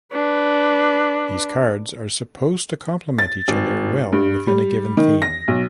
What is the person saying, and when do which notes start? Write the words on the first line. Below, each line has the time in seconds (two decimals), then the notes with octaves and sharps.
These cards are supposed to complement each other well within a given theme.
0.12 D4 B4
3.18 A6
3.48 G#1
4.12 G2
4.47 G3
4.97 D#3
5.22 A#6
5.48 B1